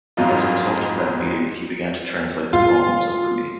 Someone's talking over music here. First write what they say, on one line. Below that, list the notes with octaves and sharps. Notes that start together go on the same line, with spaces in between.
As a result of that meeting, he began to translate the poems of Rumi.
F2 G#2 F#3 D#4 F4
F4